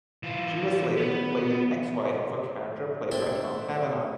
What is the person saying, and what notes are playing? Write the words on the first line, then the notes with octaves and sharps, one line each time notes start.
She was slated to play the ex-wife of a character played by Tom Cavanagh.
E3 F4
B3
C4 D4 E4 E5 G5